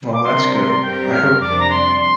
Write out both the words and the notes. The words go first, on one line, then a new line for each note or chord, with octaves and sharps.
Well, that's good, I hope it
D6
C3 G3 D4 A#4 C6
C6
G2 G3 C4 G4 A#4 G5
F6
F2 C3 G3 D4 D6
A#5
C6
C6